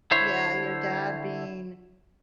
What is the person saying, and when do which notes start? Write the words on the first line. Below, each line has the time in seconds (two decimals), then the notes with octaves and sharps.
yeah, your dad being
0.11 D3 E4 C5 C#5